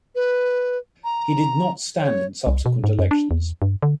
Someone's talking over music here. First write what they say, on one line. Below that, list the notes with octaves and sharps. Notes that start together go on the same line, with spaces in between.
He did not stand in subsequent elections.
B4
A#5
C#5
C2
B2
G#2
F#2
D4
E2
G2
D3